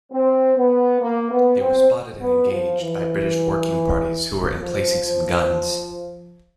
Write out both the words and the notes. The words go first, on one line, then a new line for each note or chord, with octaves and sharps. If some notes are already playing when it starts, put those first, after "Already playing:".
They were spotted and engaged by British working parties who were emplacing some guns.
C4
B3
A#3
B3
C4
B3
F3
E3
F3